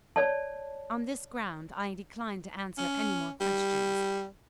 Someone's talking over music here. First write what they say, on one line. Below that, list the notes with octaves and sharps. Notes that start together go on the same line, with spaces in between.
On this ground, I declined to answer any more questions.
C#5 D5 A5
C#4
G3